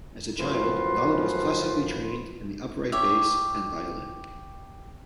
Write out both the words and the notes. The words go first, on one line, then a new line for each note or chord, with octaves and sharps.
As a child, Donald was classically trained in the upright bass and violin.
F#2 A2 F3 B4 C6
G4 C#5 E5